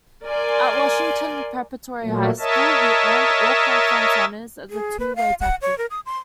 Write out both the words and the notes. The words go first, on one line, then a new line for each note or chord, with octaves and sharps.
At Washington Preparatory High School he earned All-Conference honors as a two-way tackle.
A#4 D5 G#5 C6
A#2 F#3 A3 A#3
A#4 C#5 D#5 E5 A5
G#4
B4
F5
F#5
C#5
A#4
D#6
C6